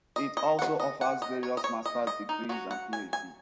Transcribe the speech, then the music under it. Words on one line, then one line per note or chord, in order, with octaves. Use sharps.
It also offers various Master's degrees and PhD.
D#5
D#5
F#5
D#5
F#5
D#5
C#5
D#5
C#5
D#5
D#5
D#4
F#3 C#4 F#4
F#5
G#5
G#5